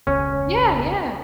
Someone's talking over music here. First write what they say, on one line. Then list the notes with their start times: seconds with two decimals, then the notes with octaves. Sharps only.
Yeah, yeah.
0.07 E1 C#2 C#4